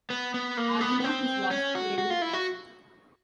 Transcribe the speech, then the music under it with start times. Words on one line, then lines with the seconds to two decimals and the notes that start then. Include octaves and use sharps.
"Argonaut" was lost to enemy action.
0.10 B3
0.34 B3
0.57 A#3
0.81 B3
1.00 B3
1.04 C4
1.51 C#4
1.75 F#4
1.98 F#4
2.10 F4
2.22 E4
2.33 F#4